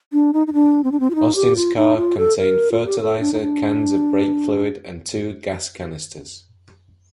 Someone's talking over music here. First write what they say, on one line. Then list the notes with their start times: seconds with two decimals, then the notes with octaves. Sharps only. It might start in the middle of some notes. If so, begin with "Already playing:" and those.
Austin's car contained fertilizer, cans of brake fluid, and two gas canisters.
0.13 D4
0.33 D#4
0.47 D#4
0.53 D4
0.84 C4
0.92 D4
1.00 C4
1.10 F4
1.15 D#4
1.35 G4
1.56 F4
1.77 D#4
1.97 F4
2.18 A4
2.38 A#4
2.72 F4
2.86 G4
3.00 A4
3.20 D4
3.33 D#4
3.40 D4